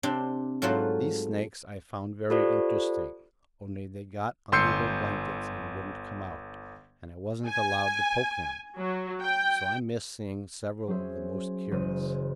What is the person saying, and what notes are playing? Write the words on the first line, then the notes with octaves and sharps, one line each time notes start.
These snakes I found very interesting, only they got under their blankets and wouldn't come out, and I wasn't allowed to poke them; so I missed seeing several of the most curious.
C3 D4 C5 G5
G#2 F#3 A3 F4 C5 F#5
F4 G4 A4 C5 D5
G1 C6 E6 G6 C7 C#7
G#5
F#3
G5
F#3 C#4 G#4 C5 E5
F#1 C#3 E3 G#3 C5 D#7